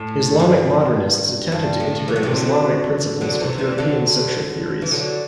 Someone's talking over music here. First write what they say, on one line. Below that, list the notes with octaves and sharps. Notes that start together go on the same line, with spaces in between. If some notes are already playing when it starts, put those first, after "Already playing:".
Islamic Modernists attempted to integrate Islamic principles with European social theories.
Already playing: A2
G2
G2
A2
E3
F#3
C3 E3
D3 F#3
D3 F#3
C3 E3
E3 G3
D3 F#3
E3
D3 F#3